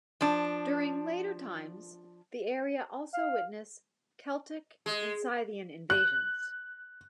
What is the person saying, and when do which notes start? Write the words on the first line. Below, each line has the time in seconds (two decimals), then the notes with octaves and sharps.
During later times, the area also witnessed Celtic and Scythian invasions.
0.21 F3 D4
3.13 F5
4.86 G#3
5.90 F#6